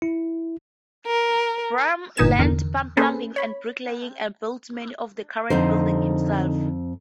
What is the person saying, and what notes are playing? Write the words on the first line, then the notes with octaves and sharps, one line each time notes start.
Brahm learnt plumbing and bricklaying and built many of the current buildings himself.
E4
A#4
G1 A#2 D#4 G#5 E7
E2 D3 A#4
A#3 C#4 G#4 A4 B4 C5
C#5 B5
F2 D3 C4 D#4 C5